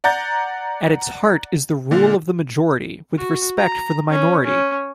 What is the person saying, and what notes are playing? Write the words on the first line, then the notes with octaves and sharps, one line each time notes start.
At its heart is the rule of the majority with respect for the minority.
D5 F#5 A#5 G6 A6
A#2 D3
F#4
A#5
C#4
C#4